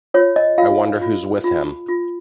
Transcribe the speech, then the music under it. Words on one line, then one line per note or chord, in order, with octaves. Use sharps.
I wonder who’s with him.
F4 C#5
D#5
F4 F5
F4
F4
F4